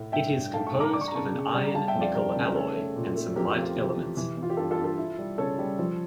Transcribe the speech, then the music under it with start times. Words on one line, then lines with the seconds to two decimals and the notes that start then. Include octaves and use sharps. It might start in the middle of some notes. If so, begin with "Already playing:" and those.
It is composed of an iron-nickel alloy and some light elements.
Already playing: A2
0.12 G2 E5 G5
0.33 G2
0.53 A3 F5 A5
0.67 A5 C#6
0.73 G2
0.80 A#5 D6
0.93 D4 D6
1.01 C#6
1.08 A#5
1.14 C#3 A5 C#6
1.33 C#3
1.54 G3
1.64 A#5
1.74 G3 F5 A5
1.88 E5 G5
1.95 F2
2.01 D5 F5
2.15 G3 A#4 D5
2.35 C#3
2.45 A#4
2.55 A3 A4 C#5
2.76 A3
2.96 A#2
3.16 A3
3.36 F2 G4 A#4
3.49 G4
3.56 F2
3.63 F4
3.76 E3 G4
3.96 E3
4.17 E3
4.37 E3
4.43 F4
4.50 G4
4.57 G2 F4 A4
4.71 F4 A4
4.78 G2
4.84 F4 A4
4.98 E4
5.18 G3
5.38 C#3 A4 C#5
5.58 G3
5.79 F3